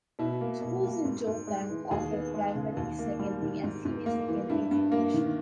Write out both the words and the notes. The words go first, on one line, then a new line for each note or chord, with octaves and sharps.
Schools in Jorethang offer primary, secondary and senior secondary education.
B2 E4
A#3
B2
A#3
G#2
G#2
G#3
E3
D#2 G#4
B3
G#3
C#3
D#2
A#3
G3
D#3
G#2
G#2
A#3
E3
G2 E4
G2
A#3
D#3